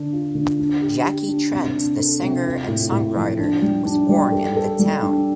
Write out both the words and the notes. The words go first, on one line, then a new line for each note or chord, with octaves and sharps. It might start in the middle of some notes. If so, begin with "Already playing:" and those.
Jackie Trent, the singer and songwriter, was born in the town.
Already playing: D3 D4
F4
D3
D4
G4
G4
D4
C3
D4
A4
C3
F4
A2
A2
F3
D4
G3
D4
G3
A4
A4
G3
D4